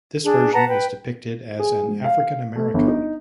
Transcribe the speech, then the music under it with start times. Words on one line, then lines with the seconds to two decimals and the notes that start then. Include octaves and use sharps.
This version is depicted as an African American.
0.23 D4 G#4
0.53 B4 F#5 A5 A#5
0.67 B4 G5
1.59 G#4
1.88 G#2
2.04 F5
2.56 A3
2.74 G1
2.88 D#4